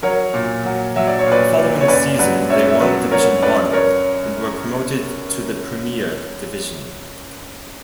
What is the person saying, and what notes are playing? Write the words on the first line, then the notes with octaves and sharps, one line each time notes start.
The following season they won Division One and were promoted to the Premier Division.
F#3 A#4 C#5
A#2
F#3
F#3 E5
D5
C#5
A#2
B4 D5
A#2
C#5
F#2 B4 D5
F#3 B4 D5
F#2 C#5 E5
E5
F#3 B4 D5
F#3 A#4 C#5
F#2 B4 D5
A#4 C#5